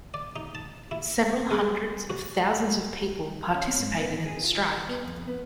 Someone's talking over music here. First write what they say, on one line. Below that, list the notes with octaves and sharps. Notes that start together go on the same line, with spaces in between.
Several hundreds of thousands of people participated in the strike.
D5
D#4
A5
E4
G#3
F#4
C#4
G#2
B3
E3
G#4
F4
B3
F2
B3